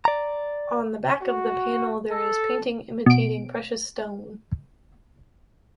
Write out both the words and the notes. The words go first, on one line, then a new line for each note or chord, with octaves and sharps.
On the back of the panel there is painting imitating precious stone.
D5 A#5
F#4
A4
B2 D7